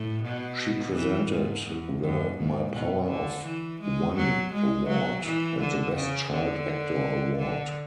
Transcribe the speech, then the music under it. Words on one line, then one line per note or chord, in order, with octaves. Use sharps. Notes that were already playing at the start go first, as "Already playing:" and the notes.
She presented the My Power of One award and the Best Child Actor award.
Already playing: A2
B2
E3
G#2
E2
F#2
G#2
B2
D3
E3
G#3
F#3
G#3
F#3
E3
D3
C#3
D3
D3